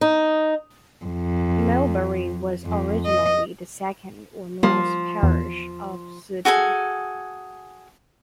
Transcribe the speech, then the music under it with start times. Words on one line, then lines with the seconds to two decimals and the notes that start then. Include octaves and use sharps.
Millbury was originally the Second or North Parish of Sutton.
0.01 D#4
1.05 F2
2.66 F2
3.06 D#5
4.63 F3 G3 A#3
5.23 E2
6.45 F#4 G#4 A4 G#5